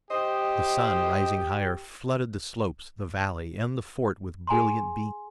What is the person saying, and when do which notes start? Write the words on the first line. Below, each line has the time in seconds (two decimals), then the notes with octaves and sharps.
The sun, rising higher, flooded the slopes, the valley, and the fort with brilliant beams.
0.10 G4 C5 D#5
4.47 G#4 G#5 A#5 C6